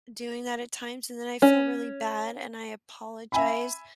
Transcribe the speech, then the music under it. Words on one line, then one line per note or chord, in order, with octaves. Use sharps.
doing that at times, and then I feel really bad, and I apologize.
C#4
E5 G#5 B5